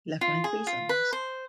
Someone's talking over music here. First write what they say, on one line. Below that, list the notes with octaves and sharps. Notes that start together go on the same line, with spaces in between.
He left behind three sons.
F4
G#4
F4
B4
C5